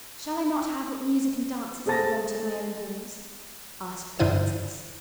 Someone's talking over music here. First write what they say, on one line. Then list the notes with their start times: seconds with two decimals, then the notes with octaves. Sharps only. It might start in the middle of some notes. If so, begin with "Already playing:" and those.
"Shall I not have what music and dances I want at my own balls?" asked the princess.
1.86 G#4 A4 C5 A5 A6 A#6
4.19 G2 D3 D#3 E4 C5 D#7